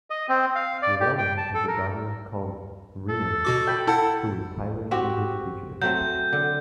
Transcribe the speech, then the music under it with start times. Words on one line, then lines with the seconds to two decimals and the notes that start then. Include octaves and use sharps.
Llewellyn has a daughter called Rhian, who is Tyler's English teacher.
0.10 D#5
0.29 C4
0.55 F5
0.82 D5
1.00 G4
1.18 G5
1.37 A5
1.55 A4
1.68 A#4
3.09 A4
3.45 B2 F#4 D6
3.67 G5 B5
3.87 E4 A4 F#5
4.91 C4 F#4 G4
5.82 F#3 A3 C4 G6
6.33 D3